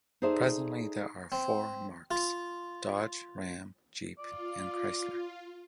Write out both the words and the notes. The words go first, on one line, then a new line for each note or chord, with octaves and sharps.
Presently there are four marques: Dodge, Ram, Jeep, and Chrysler.
D#4 G#4 A4 C5 D5 E5
C4
F4
F4 D5